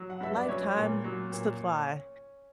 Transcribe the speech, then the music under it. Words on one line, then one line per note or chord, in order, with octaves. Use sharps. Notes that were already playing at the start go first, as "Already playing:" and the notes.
A lifetime supply.
Already playing: F#3
F#5
G2 E5
D5
F#3 C#4 C#5
A#2
F#3
A#2